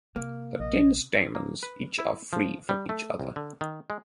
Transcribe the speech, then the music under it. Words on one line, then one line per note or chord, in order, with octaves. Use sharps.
The ten stamens each are free from each other.
C3 A#3
A#1 D#5
A#3
B4
E4
F3
G3
A3
C2
D3
D#3
G#3